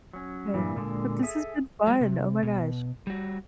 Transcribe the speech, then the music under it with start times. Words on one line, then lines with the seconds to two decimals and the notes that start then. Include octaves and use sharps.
Eh, but this has been fun, oh my gosh.
0.13 F#3 C#4
0.54 G2 A#2 E3 G3
0.76 A#2 D3 G3 G#3
1.23 G#4 A4 E5 G#5
1.87 F#3 G#3
2.01 C3
2.43 B2
3.07 G3 F#4